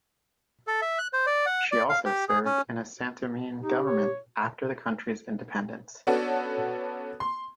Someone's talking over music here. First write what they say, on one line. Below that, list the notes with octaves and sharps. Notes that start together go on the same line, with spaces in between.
She also served in the Santomean government after the country's independence.
A4
E5
F#6
C5
D5
F#5
D5
F5
G4
G#4
C#4
D#4 G4
C#5
B3 C#4 D4 F#4 A4
C6